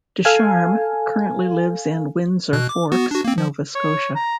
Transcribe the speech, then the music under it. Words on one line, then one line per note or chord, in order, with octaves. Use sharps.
Ducharme currently lives in Windsor Forks, Nova Scotia.
A4 F5 G#5
B2 F#6
D6
B3 F#4
D4 F#4
A#3 C4
F3
C#5
A#5